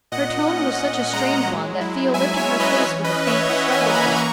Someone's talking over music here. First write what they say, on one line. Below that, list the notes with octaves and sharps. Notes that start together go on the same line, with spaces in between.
Her tone was such a strange one that Theo lifted her face with a faint, startled look.
A#2 D#5 F#5
C#4
A#2
G#3 F#5 A#5
F#3
E4
F#3 E5 G#5
C#5 E5
C#4
B4 D#5
E3 C#5
B4 D#5
C#4
C#5 E5
E4 D#5 F#5
E5 G#5
A#3
A#5
G#5 B5
E3 A#5 C#6